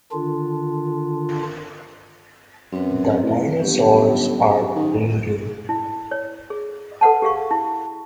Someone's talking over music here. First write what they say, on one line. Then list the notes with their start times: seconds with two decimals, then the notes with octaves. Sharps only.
The dinosaurs are breeding!
0.12 D3 D#3 D4 F4
2.73 F#2 C4 B4
3.23 A2
3.60 G1 F#3 C#4 G4
4.76 D#3
5.69 E4
6.11 C#5
6.50 G#4
7.01 A4 B4 F#5 A5
7.22 G4 G#4 F5 C#6
7.51 E4